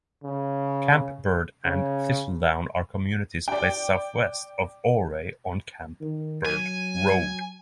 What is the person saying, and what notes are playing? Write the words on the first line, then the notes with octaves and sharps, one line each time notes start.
Camp Bird and Thistledown are communities placed southwest of Ouray on Camp Bird Road.
C#3
C#3
D5 G5
D#3
F#3 G#5